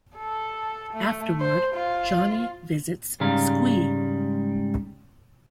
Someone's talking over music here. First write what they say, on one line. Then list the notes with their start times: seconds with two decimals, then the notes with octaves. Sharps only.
Afterward, Johnny visits Squee.
0.16 A4
0.94 A3
1.40 C5
1.75 F4
3.20 G#2 C#3 G3 G#3 F5 A#5